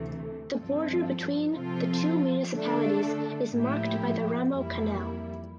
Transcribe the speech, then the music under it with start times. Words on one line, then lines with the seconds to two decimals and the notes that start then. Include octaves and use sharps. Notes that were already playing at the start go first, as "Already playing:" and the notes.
The border between the two municipalities is marked by the Ramo canal.
Already playing: D2 C3 E3 A3
0.55 G2 F3 C4 F4 A4
1.55 C3 F3 C4 F4 A4
2.53 D3 A3 D4 A4
3.53 A2 F3 A#3 E4 G4
4.51 F2 E3 G3 A#3 E4